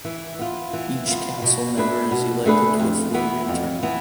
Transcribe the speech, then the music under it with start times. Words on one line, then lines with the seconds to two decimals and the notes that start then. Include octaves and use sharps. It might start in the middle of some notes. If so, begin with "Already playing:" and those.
Each council member is elected to a four-year term.
0.05 E3
0.39 B3 F4
0.73 E3
1.08 B3 F4
1.42 B2
1.77 A3 D4 G#4 B4
2.11 B2
2.46 A3 D4 G#4 B4
2.79 F2
3.14 E3 B3
3.48 F2
3.83 E3 B3